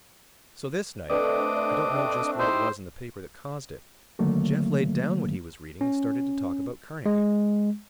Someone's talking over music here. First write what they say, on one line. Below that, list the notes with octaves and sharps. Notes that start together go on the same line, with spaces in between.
So this night,--I don't know just what it was in the paper that caused it,--Jeff laid down what he was reading and started to talk about Carnegie.
A3 C4 D4 A4 B4 D5 D#5 D6
D#4 E4 G4 C5
D3 D#3 F#3 A3 A#3
C#4
G#3